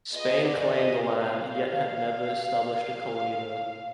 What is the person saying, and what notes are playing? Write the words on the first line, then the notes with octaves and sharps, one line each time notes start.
Spain claimed the land yet had never established a colony there.
B3 F4 G#4 D#5
D5
D#5
F5